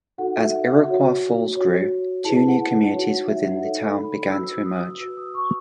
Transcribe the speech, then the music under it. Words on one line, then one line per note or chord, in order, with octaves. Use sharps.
As Iroquois Falls grew, two new communities within the town began to emerge.
D#4 F#4 A4 F#5
E5
F#5
F#4 C#5
F#4 C#5
E4 G#4 B4 A5
F#5
F#5
D#4 F#4 C#5 F#5
F#5
E5
F#5
D#4 A4 C#5
B5
B5
F#4 B4 E6
D#6
F#4 B4 E6
D#6
C#6